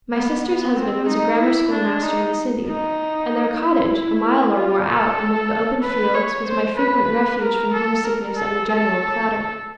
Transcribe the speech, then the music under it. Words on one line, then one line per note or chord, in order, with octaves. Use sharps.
My sister's husband was a grammar school master in the city, and their cottage, a mile or more out, among the open fields, was my frequent refuge from homesickness and the general clatter.
B3
B3
C4
D#4
E4
D4
D#4
D#4
E4
F4
A4
B4
C#5
C5
B4
A#4
A4
A#4
A4
A4